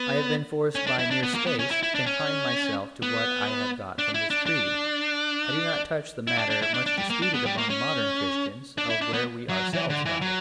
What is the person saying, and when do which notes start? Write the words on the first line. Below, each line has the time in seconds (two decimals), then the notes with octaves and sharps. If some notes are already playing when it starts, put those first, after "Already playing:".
I have been forced by mere space to confine myself to what I have got from this creed; I do not touch the matter much disputed among modern Christians, of where we ourselves got it.
Already playing: B3
0.75 C#4
0.87 D4
0.99 E4
1.11 D4
1.23 B3
1.35 A#3
1.46 B3
1.59 C#4
1.71 E4
1.83 E4
1.95 D4
2.06 C#4
3.02 B3
3.99 D4
4.14 E4
4.30 D4
4.46 D4
6.27 E4
6.38 D4
6.50 D4
6.62 E4
6.74 D4
6.86 D4
6.98 G3
7.10 A#3
7.22 D4
7.34 B3
7.46 G3
7.58 A#3
7.70 C#4
8.78 D4
8.89 E4
9.02 D4
9.14 B3
9.49 F#3
9.73 E3
9.90 D3
10.05 E3
10.22 F#3